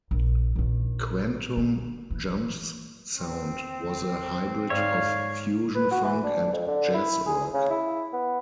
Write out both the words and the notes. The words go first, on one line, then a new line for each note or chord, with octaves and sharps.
Quantum Jump's sound was a hybrid of fusion, funk, and jazz rock.
A#1
A#1 D#3
D3
E3
C4
G#2 C#5 D5 F5
B4
F#4
E3
D4
F2
D3
E4
G#4
C#3
E4
B3